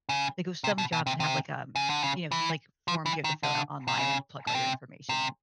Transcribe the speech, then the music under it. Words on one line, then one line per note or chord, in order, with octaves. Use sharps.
like with some jobs have like, um, you know, just like forms you have to fill out online, and plug all your information in,
C#3
C3
B2
B2
C3
C3
C#3
D3
C#3
E3
F3
E3
D#3
D3
C3
C#3
B2
C3
C3